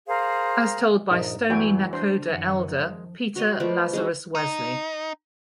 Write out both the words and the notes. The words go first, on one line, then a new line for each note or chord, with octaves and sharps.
As told by Stoney Nakoda Elder Peter Lazarus Wesley.
G#4 A#4 C5 F5
A#1 G2 D#4 D5 D#5 A5
E2 E3 F#3 F#4 G5 G#5
D4 C5
F#2 D#3 F3 F#5 G#5
G#3
F#4 C#5 D#5 C6
F3 A3 B4 D5
G#3 D#4 F#4
D#4